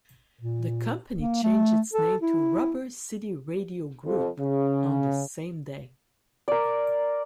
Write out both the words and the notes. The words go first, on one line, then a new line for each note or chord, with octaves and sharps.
The company changed its name to Rubber City Radio Group on the same day.
A#2
A#3
A3
A4
E4
F2
C#3
A#4 D5